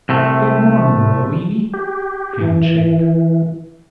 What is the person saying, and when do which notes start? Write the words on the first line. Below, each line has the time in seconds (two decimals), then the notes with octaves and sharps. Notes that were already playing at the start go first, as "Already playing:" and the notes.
"Good mornin', Roweny"--handshake.
0.09 C2 C3 A3
1.74 G4
2.41 E3